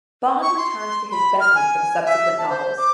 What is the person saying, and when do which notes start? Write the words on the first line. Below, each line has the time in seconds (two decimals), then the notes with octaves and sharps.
Bond returned to his Bentley for the subsequent novels.
0.42 C#6
0.57 C6
1.11 B5
1.40 F6
1.55 G#5
2.06 E5
2.38 A5
2.50 C5
2.77 D6